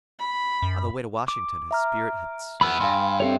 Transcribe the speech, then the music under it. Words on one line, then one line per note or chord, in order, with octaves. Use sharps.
On the way to Washington his spirit had soared.
B5
F#2
D6
E5 A#5 F6
E2 B3 B5 E6 F6
G2 F5 G#5 C6
C4 G4 A4 C#5 E5